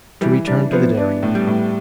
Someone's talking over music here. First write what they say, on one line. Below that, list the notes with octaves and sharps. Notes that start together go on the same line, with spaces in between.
To return to the dairying.
E3 G3
G3 D4
F3 B3
D4
A2
G3
A2